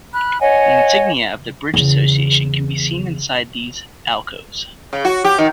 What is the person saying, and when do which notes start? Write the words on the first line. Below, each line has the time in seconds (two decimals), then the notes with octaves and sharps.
The insignia of the Bridge Association can be seen inside these alcoves.
0.13 B5 F6 F#6
0.40 C#5 D#5 F#5 G#5
1.74 E2 C#3
4.93 C#3
5.05 F#4
5.24 G4
5.38 D#3